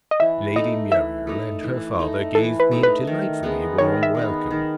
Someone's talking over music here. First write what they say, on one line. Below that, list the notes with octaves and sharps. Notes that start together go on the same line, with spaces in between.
Lady Muriel and her father gave me a delightfully warm welcome.
D#5
E3 E5
A3 D#4 D#5
E3 E5
A3 D#4
E3
A3 D#4
E3 A4
B4
A3 D#4
B4
D#3
G#3 B3 D#4
D#3 C#5
E5
G#3 B3 D#4
D#3